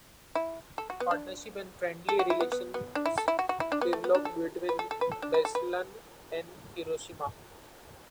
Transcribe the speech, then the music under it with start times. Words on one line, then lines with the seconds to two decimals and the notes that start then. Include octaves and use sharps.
Partnership and friendly relations developed between Beslan and Hiroshima.
0.35 E4
0.78 A4
0.90 F#4
1.00 B3
1.11 D4
2.09 A4
2.19 F#4
2.30 E4
2.41 B3
2.52 B3
2.74 B3
2.95 D4
3.06 E4
3.18 A4
3.28 E4
3.39 F#4
3.49 F#4
3.60 E4
3.72 D4
3.81 B3
3.93 A3
4.04 B3
4.15 D4
4.25 A4
4.69 B4
4.79 A4
4.91 A4
5.01 B4
5.12 A4
5.22 D4
5.34 B4
5.45 A4
5.55 B4